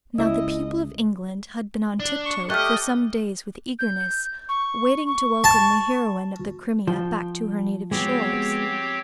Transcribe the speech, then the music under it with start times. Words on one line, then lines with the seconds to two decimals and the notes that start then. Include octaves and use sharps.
Now, the people of England had been on tiptoe for some days with eagerness, waiting to welcome the heroine of the Crimea back to her native shores.
0.18 C#2 E4 D#5 E5
2.00 D4
2.26 C#6
2.50 A3 G4 D5 D#5 F6 F#6
3.79 G6
4.49 C#6
5.06 C#6
5.44 A5
6.87 F3 G5
7.91 G#3 B3 C4 F#4 G4 C#5